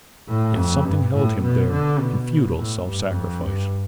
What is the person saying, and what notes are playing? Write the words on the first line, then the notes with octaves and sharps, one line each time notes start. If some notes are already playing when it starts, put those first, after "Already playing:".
Yet something held him there in futile self-sacrifice.
A2
F2
G2
A2
B2
D3
B2
A2
G2
F2
G2